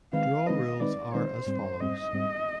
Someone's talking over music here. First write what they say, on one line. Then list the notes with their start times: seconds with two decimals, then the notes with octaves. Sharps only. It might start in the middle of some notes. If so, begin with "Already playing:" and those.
Draw rules are as follows.
0.13 D#3 G#3 C4 D#4 B4 F5
0.46 D#3 G#3 C4 D#4 B4 D#5
0.80 D#3 G#3 C4 D#4 B4 D5
1.13 D#3 G#3 C4 D#4 B4 C5
1.47 G#2 G3 C4
1.80 G#2 G3 C4 D#5
2.13 G#2 G3 C4